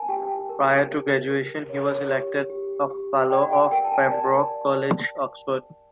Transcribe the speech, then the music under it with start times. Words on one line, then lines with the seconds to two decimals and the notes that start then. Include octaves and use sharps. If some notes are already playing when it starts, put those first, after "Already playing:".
Prior to graduation he was elected a fellow of Pembroke College, Oxford.
Already playing: A#4 G#5 A5
0.08 G4 G5
0.49 A#4
0.89 G4
1.30 A#4
1.69 C#5
2.10 G4
2.50 G4
2.90 G4
3.30 D5 G5
3.43 F#5
3.52 G5
3.71 A#4 G5
3.85 A5
3.92 G#5
4.11 D5 A5